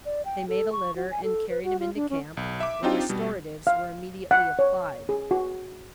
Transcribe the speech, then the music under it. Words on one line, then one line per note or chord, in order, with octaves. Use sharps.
They made a litter and carried him into camp, where restoratives were immediately applied.
D5
G5
A4
C#6
F#4
G#5
A4
B4
F#4
F4
D4
C#4
B1
E5 D6
C4 D4 D#4 F4 G4 G5
B2 G3
F5
F#5
C#5
G#4
F#4